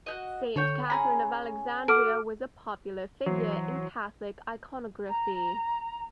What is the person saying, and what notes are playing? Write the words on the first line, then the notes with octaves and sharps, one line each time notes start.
Saint Catherine of Alexandria was a popular figure in Catholic iconography.
F#4 G4 D#5
D3 A4 C#5 G5
C#4 G4 G#4 A#5 B5
F#4 A4 D6 F6 D7
E3 F#3 C5
A#5